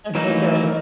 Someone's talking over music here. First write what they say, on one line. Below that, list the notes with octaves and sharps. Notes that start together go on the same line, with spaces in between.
Okay, good.
E3 F#3 A3 A#3 D#4